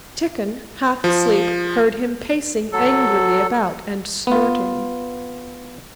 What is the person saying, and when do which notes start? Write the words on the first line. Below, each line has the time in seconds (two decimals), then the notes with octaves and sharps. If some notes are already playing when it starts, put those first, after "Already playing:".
Tikhon, half asleep, heard him pacing angrily about and snorting.
1.04 F3
2.72 F#3 A4
4.27 B3 F4